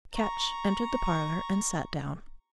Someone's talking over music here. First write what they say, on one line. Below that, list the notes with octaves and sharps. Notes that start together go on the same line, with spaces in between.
Ketch entered the parlour, and sat down.
A#5 C#6